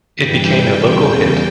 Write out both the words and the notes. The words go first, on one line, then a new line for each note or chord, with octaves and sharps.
It became a local hit.
G2 E3 G3 G5
E2 C#3 G3